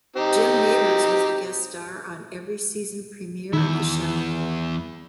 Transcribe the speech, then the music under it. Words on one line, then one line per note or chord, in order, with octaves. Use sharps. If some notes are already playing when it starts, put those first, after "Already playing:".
Jim Nabors was the guest star on every season premier of the show.
C4 D#4 G4
E2 D#3 E4